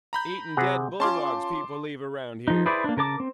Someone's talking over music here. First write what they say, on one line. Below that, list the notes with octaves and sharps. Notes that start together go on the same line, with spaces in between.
"Eatin' dead bulldogs people leave around here."
A#5 B5 G6
C3 G#4 F#5
C#4 F4 A5 C6 D6
F3 D#4
E4 G#4 B4 C5 D5
A#3 D4
C#3 A#4 A5 D6
C4